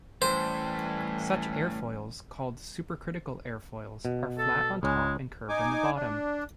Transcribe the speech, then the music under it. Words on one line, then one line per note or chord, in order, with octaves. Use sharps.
Such airfoils, called supercritical airfoils, are flat on top and curved on the bottom.
A2 E3 G3 C#4 C5
B2
A4
C#2 G#3 C#4
D#4 G#5 D6
D4